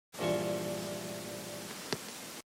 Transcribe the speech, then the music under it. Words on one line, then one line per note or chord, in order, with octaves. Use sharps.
Please wait a moment while I am investigating the issue.
A#1 G2 E3 F4 C#6